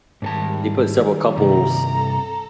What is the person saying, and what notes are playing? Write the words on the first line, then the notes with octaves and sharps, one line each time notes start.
they put several couples
G#2 D#3 G3 A4 A5
G2 C3 A#5
A4